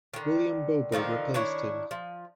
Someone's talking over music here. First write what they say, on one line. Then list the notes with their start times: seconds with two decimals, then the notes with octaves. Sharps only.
William Bobo replaced him.
0.14 D3 D#3
0.92 D3 D#3 F3 D#4
1.34 D#3 D4 E4 C#5
1.91 F3